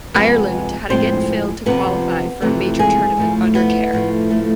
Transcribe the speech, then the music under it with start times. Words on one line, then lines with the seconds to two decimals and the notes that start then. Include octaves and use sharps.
Ireland had again failed to qualify for a major tournament under Kerr.
0.14 F2 C3 G#3 B3 B4
0.90 A2 F3 G#3 C4 C5
1.66 F2 C3 F3 B3 B4
2.41 F2 C3 E3 A3
2.79 G#3 G#4
3.17 A2 F3 A3
3.55 B3
3.92 A2 F3 A3
4.31 A3